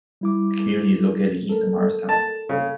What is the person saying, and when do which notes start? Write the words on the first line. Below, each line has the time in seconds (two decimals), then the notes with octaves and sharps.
The community is located east of Morristown.
0.21 G3 E4 D6
1.49 A4 A#4
2.09 A5
2.49 C#3